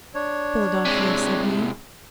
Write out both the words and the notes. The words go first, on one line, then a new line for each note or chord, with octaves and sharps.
"Philadelphia," said he.
D4 C#5
C3 G#3